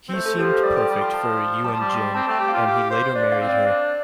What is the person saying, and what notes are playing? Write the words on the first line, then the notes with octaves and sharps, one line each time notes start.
He seemed perfect for Eun-jin and he later married her.
C4
A3 C5
A4
F3 G4
A4
G3 D5
F3 G5
G3
F3 C6
A5
G3 A5
F3
G3
C6
C4 A5
A3 G5
G4
F4 F5
G4
C5
D4 D5
F5
C4
D5
D4